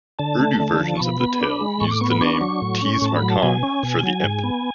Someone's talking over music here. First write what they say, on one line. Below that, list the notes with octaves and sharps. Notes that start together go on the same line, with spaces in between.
Urdu versions of the tale used the name "Tees Mar Khan" for the imp.
D3 A5
A3
D3
F3
C#6
B2 B5
B3
D4
G#3
A2 C#6
D6
B3 C#6
B5
D4 C#6
F#3
A2
C#4
A2 A5
B5
F#3
A5
B2 G#5
C#4
B2
F#3
G#2
B3